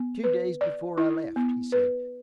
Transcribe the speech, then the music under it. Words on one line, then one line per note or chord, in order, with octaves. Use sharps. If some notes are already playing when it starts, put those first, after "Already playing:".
"Two days before I left," he said.
Already playing: B3
B4
D5
E4
B3
B4